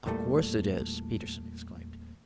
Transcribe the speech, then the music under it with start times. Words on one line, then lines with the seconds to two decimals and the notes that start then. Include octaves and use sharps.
"Of course it is," Peterson exclaimed.
0.06 E2 A#2 G3 A3